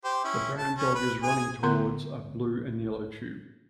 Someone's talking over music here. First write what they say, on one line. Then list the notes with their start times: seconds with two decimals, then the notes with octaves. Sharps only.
The brown dog is running towards a blue and yellow tube.
0.04 G4 C5
0.24 C#4 E4
0.57 A5
0.77 C#4
0.95 B4
1.23 G#4 G#5
1.63 D3 B3 A#4 C6